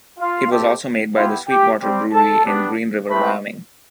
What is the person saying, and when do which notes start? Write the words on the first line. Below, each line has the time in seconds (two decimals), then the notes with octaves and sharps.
It was also made by the Sweetwater Brewery in Green River, Wyoming.
0.18 F4 F5
0.50 A3 C4 G4
1.15 B3 E4 F4 G4 F5
1.48 G4 G5
1.80 G3 C4 G4
2.12 A4 A5
2.45 B3 D4 G4
3.09 A3 C4 E4 G4 B4 B5